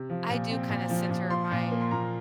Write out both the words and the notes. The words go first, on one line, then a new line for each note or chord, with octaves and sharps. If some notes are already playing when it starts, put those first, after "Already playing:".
I do kinda center my
Already playing: C3
F3
A#2
C4
A#2
F3
A#2
F3 C6
A#2
A#3
C6
A#2 A#5